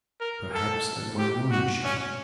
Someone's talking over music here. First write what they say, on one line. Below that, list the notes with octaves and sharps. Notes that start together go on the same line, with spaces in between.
"Perhaps at my wine-shop?"
A#4
A4
G4
F#4
C#4